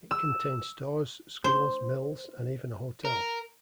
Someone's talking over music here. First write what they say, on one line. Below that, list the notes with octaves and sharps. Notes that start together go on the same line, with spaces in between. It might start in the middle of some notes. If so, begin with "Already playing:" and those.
It contained stores, schools, mills, and even a hotel.
E6
C5
A#4